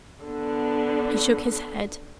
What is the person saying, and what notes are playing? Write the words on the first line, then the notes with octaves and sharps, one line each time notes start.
He shook his head.
D3 B3